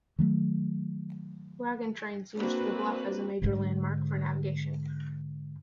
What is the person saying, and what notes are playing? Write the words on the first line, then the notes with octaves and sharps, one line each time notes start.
Wagon trains used the bluff as a major landmark for navigation.
D#3 F#3 A3
A#3 C4 D4 F#4 B4
G#2 D3